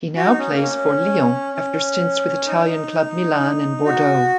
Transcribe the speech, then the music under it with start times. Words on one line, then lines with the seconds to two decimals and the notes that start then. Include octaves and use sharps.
He now plays for Lyon after stints with Italian club Milan and Bordeaux.
0.16 F#4
0.27 D#4
0.39 C#4
0.51 A#3
0.62 C#4
1.55 C#4
2.46 D#4
3.85 F#4